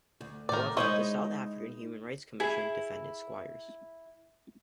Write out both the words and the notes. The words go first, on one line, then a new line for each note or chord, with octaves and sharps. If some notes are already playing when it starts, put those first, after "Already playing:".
However, the South African Human Rights Commission defended Squires.
D2
A2 D#3 A#4 D5
G#3 D#4 E4 C5 C#5 D#5
E4 G#4